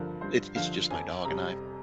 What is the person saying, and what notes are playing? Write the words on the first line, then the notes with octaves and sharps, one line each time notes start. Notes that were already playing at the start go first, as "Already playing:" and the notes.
it's it's just my dog and I;
Already playing: G2 D3 F3 A#4
G2 C5
D3 F3 F5
F2 G#5
C3 G3 A#5